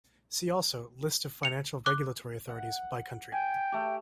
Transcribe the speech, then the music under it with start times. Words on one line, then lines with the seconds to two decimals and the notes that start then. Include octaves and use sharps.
See also List of financial regulatory authorities by country.
1.43 C#7 F7
1.86 D6 F#6 G7
2.49 F#5
3.32 G5 G#5
3.72 A3 G4